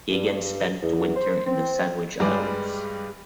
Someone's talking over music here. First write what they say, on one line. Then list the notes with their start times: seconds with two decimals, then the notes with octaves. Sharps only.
He again spent the winter in the Sandwich Islands.
0.12 G2
0.82 E2
1.16 C5
1.46 C4
2.20 G2 G3 G#3 G#4 B4 D5